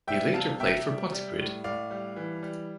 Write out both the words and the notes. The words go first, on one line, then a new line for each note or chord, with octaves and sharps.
He later played for Pontypridd.
G3 E5 G5
C3 F5 A5
C3 E5 G5
G3
G3
A2
A2 D5 F5
G3
E3
G3